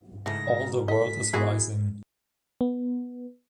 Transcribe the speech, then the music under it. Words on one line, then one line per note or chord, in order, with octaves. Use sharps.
All the world is rising.
G#2 C#3 E3 A3 A#6
A4 D#5 B6
B3 E4 F#4 G#4 A#4 E5
B3